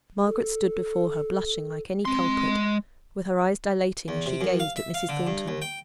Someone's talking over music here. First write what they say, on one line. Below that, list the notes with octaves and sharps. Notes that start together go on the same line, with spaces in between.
Margaret stood before her, blushing like any culprit, with her eyes dilating as she gazed at Mrs. Thornton.
A4
G#3 C4 C6
E2
C3
F#2
F5
E5
F5
D3
G2
D#2
G5